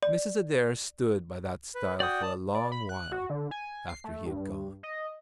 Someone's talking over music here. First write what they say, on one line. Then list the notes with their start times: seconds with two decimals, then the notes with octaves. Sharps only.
Mrs. Adair stood by that stile for a long while after he had gone.
0.03 D5
1.75 B4
2.00 F#4 D5 G5 D#6
2.23 A5
2.54 D5
2.72 B5
2.89 F#6
3.12 F#4
3.30 D3
3.51 G#5
3.89 C7
4.04 A3
4.26 G2
4.83 D#5